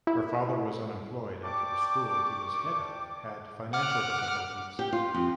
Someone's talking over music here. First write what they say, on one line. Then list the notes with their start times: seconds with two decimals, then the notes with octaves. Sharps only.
Her father was unemployed after the school he was head of had financial difficulties.
0.07 E4
1.44 D5 G5 A5 C#6 D6
3.73 F#5 D6 F6
4.79 G4
4.93 F4
5.15 F2